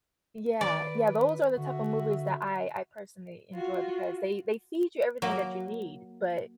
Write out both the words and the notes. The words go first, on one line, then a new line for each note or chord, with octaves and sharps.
Yeah. Yeah, those are the type of movies that I I personally enjoy because they they feed you everything that you need, but
D#3 B4 D5
D3 F#4 E5
F4 F#4
F#3 A#3